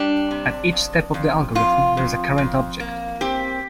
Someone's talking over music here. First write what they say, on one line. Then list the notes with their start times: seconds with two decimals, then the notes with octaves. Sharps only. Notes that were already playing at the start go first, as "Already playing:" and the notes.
At each step of the algorithm there is a current object.
Already playing: G3 D4
0.31 C3
0.72 F2
1.14 F2
1.55 F2 F4
1.97 F2
2.38 F2
2.80 A#3
3.21 C4 G4